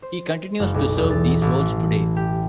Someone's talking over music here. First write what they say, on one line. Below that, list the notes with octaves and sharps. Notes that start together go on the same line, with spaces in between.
He continues to serve these roles today.
C5
F#1
B1
E2
A6
F#3
A1
E3
G4